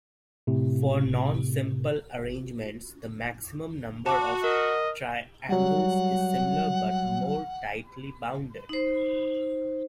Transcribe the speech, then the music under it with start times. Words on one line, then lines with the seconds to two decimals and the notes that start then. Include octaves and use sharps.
For non-simple arrangements the maximum number of triangles is similar but more tightly bounded.
0.47 A2 C3
4.06 F#4 A5 D6
4.44 A#4 D#5
5.49 F#3 G3 F#5
8.69 D#4 C5